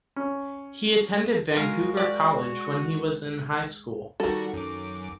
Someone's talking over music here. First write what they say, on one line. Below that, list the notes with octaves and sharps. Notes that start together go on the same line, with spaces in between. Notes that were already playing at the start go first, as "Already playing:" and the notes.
He attended Vancouver College when he was in high school.
C#4
G#3 F#4 A#4 F5
G4 D5
D#3 G3 F#4 A4
F#2 D6